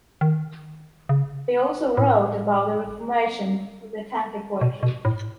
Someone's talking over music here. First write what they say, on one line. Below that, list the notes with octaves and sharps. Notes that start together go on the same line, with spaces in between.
They also wrote about the reformation of tanka poetry.
D#3
C#3
A2
B2
B2
A2